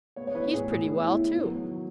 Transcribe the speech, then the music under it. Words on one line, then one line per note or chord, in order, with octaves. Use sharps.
He's pretty well, too.'
B3 C#5
C#5
E3 B4
A2 G#4
A2 G#4
B3
E4
E3
B3
F#3
D#3